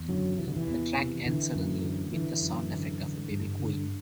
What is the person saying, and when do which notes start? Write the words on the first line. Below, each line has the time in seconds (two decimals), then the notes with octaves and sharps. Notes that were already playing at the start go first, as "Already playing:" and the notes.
The track ends suddenly with the sound effect of a baby cooing.
Already playing: E2
0.09 F#2 D3 F#3
0.38 C3 E3
0.47 D3
0.56 E3
0.67 E2
0.97 C3
1.26 D3 E3
1.55 F#2
1.84 D3
2.13 D3 E3
2.42 F#2
2.71 D3
3.01 D3
3.30 G2
3.60 D3